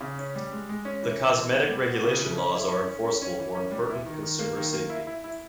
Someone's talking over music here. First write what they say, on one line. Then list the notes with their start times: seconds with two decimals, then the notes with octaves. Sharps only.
The cosmetic regulation laws are enforceable for important consumer safety.
0.01 C#3
0.18 C#4
0.35 G3
0.52 G#3
0.69 G#3
0.85 C#4
1.03 E3
1.19 E3
1.36 E3
1.52 B3
1.69 G3
1.86 B3
2.04 C#3
2.20 E3
2.37 C#4
2.55 E4
2.71 C#4
2.88 C#4
3.04 C#4
3.22 C#4
3.39 E3
3.55 C#4
3.72 G3
3.90 E4
4.06 D#3
4.23 D#3
4.39 A#3
4.57 D#3
4.73 A#3
4.90 E4
5.07 E4
5.24 E4